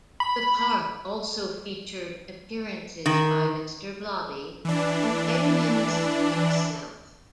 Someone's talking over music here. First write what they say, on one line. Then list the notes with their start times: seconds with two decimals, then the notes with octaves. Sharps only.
The park also featured appearances by Mr Blobby and Edmonds himself.
0.20 B5
3.06 D#3
4.65 E3 D4